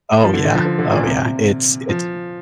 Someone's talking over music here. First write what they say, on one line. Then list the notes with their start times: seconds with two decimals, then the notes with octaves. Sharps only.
Oh yeah, oh yeah, it's it's
0.23 F3
0.33 D3
0.45 D3
0.55 F3
0.65 F3
0.79 D3
0.92 A#2
1.06 C3
1.89 F3